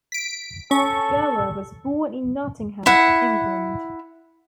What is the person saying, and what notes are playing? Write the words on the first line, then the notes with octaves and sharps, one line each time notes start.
Gower was born in Nottingham, England.
B6 D7
C#4 A4 C#6
E4 F#5